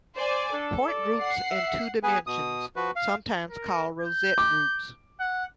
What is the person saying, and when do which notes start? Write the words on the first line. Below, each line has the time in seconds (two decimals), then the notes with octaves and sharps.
Point groups in two dimensions, sometimes called rosette groups.
0.16 C5 D5 G#5
0.53 D4 A4
0.89 D5
1.20 F#5 C7
1.51 E5
2.03 B3 G#4 B4 G#5
2.27 B2 D#6
2.76 F3 F#4 B4
2.96 F5
3.50 A#4
4.01 G6
4.38 D6
5.20 F#5